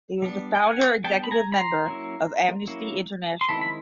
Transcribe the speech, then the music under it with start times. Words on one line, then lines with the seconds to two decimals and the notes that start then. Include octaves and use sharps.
He was the founder executive member of Amnesty International.
0.22 G3 B3 D4
0.55 G5
0.64 F#5 G#5
1.04 G3 B3 D4 G5 A5
1.24 B5
1.31 G#5 A#5
1.52 B5
1.59 A#5 C6
1.86 F#3 A#3 C#4 E4
2.67 F#3 A#3 C#4 E4
3.41 C6
3.49 D#3 G#3 C4 E4 A5 B5
3.61 B5